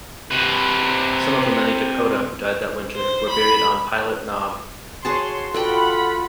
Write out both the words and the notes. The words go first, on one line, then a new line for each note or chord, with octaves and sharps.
Some of the many Dakota who died that winter were buried on Pilot Knob.
C3 B4
C5
B5
F#4 G#4 C#5 A5 C6
F4 F#4 A4 D5 F#5 G5 B5